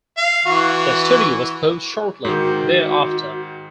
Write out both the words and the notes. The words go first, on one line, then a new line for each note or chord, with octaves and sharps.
The studio was closed shortly thereafter.
F5
E3 F#4
G#2 D#3 F#4